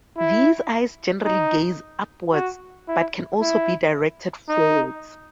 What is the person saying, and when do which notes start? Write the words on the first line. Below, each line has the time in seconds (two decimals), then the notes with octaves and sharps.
These eyes generally gaze upwards, but can also be directed forwards.
0.18 E4
1.25 D#4
2.33 F#4
2.88 E4
3.41 E4
4.49 D#4